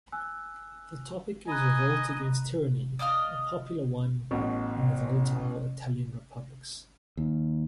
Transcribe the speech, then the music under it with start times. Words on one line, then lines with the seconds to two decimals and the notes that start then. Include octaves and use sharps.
The topic is revolt against tyranny, a popular one in the volatile Italian republics.
0.12 G#5 E6 F#6
1.48 D#5 G#5 A#5 B5 F#6
2.99 D5 D#5 F5 F6
4.31 A1 B2
7.17 D#2